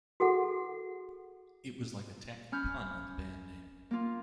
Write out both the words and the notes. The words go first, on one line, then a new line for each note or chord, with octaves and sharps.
It was like a tacky pun on the band name.
F#4 G#4 A4 F#5
C#4 B5 F6 G6
A#3 F4